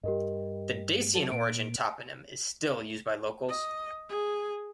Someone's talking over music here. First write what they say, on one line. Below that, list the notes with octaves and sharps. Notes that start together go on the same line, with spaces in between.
The Dacian-origin toponym is still used by locals.
G2 G3 G4 A#4 D#5
F#3 A4
A#2 D7
D#5
G#4